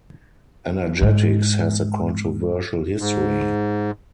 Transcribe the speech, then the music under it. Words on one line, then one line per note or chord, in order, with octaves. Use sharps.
Energetics has a controversial history.
G#2 G#3
G#2